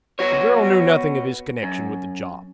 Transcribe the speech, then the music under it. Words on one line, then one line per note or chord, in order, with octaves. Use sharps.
The girl knew nothing of his connection with the job.
B3 F#4 C#5
F#2